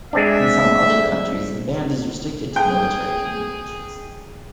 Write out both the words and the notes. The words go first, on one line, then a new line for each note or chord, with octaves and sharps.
In some other countries, the band is restricted to military communications.
G#3 C4 D4 E5
G#4 G5